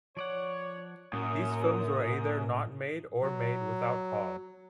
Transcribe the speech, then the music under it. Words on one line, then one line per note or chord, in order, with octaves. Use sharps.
These films were either not made or made without Hall.
F3 C#5 D5 F#5
F#2 A2 A#3 C#4 D#6
F#3